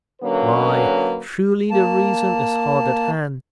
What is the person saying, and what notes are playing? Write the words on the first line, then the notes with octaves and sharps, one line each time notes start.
'Why, truly the reason is hard at hand.
D3 F#3 A#3 C#4 B4
A#3 A5